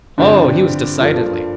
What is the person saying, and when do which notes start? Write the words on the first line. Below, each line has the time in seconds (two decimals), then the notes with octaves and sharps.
"Oh, he was, decidedly."
0.18 G2 D3 F3 C4 G4
0.99 G2 F3 A#3 F4 A4